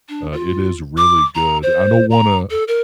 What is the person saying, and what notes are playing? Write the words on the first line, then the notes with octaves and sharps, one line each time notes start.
uh, it is really good. I don't wanna
D4
F4
D6
A#5
C5
A#5
A4
A#4